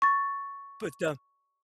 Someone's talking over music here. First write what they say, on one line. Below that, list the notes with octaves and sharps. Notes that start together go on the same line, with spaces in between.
But, um
C#6 A6